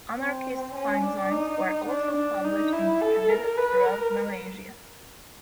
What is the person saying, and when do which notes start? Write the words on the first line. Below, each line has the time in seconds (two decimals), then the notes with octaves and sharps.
Anarchist fanzines were also published and distributed throughout Malaysia.
0.18 C4
0.75 C#4
1.03 D4
1.31 D#4
1.88 D4
2.17 D4
2.45 D#4
2.73 E4
3.02 A4
3.29 A#4
3.58 B4
3.86 A#4